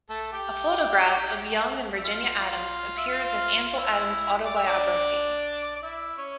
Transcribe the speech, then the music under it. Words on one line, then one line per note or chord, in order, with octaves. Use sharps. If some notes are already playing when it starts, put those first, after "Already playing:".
A photograph of Young and Virginia Adams appears in Ansel Adams's autobiography.
A3 A4
G4 G5
E5
F4 F5
F4 F5
E5
F4 F5
F5
E4 E5
D5
E5
D4 D5
D5
E4 E5
C#4 C#5